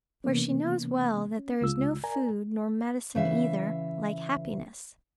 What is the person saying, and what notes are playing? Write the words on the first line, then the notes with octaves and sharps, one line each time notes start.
For she knows well that there is no food, nor medicine either, like happiness.
C3 E3 A#3 B3 C#4
C#4
C#2 C#3 G#3 F4 E6
A#4 D5 G#5 A#5
C#3 E3 E5 F5